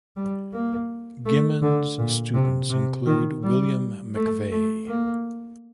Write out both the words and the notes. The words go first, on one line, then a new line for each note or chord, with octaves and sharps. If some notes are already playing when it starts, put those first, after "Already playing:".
Gimond's students include William McVey.
G3
A#3
A3
D3
A#2
C3
C3
D#3
G3
A3
A3
A#3